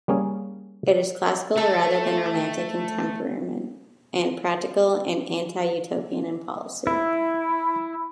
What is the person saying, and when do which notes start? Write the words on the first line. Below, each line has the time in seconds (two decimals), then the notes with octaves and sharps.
It is classical rather than romantic in temperament, and practical and anti-Utopian in policy.
0.08 G3 A#3 C#4 G#4
1.58 A3 A4
6.87 E4